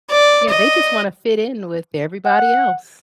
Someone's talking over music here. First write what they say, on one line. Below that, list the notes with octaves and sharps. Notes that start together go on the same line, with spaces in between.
Yeah, they just want to fit in with everybody else.
D5
D#5
F#5